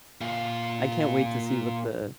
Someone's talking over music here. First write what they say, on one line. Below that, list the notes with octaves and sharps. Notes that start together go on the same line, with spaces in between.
I can't wait to see what the
A#2 F4